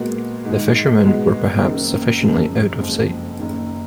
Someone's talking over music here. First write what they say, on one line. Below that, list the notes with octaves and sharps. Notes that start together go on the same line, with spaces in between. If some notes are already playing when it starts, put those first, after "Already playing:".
The fishermen were perhaps sufficiently out of sight.
Already playing: A#2 G#3 B3 F#4 A#4
G#2 D#3 G#3
B2 G#3 B3 F#4
F#1 F#2 D#3 A#3 D#4
F#1 F#2 F3 G#3
F#1 F2 F3 G#3
F#1 F#2 D#3